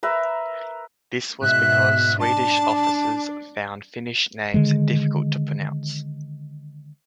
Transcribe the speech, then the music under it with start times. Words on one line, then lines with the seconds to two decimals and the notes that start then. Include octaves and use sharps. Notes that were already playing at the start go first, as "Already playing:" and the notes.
This was because Swedish officers found Finnish names difficult to pronounce.
0.03 A#4 B4 E5
1.43 G#2 B2 E5 F#6
2.20 D4 A5
4.54 D3 D#3 G#3